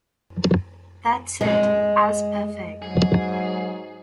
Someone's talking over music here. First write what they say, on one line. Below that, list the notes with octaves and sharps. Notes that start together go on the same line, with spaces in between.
That is, as per Fig.
G#3
G#2 F#3 G#4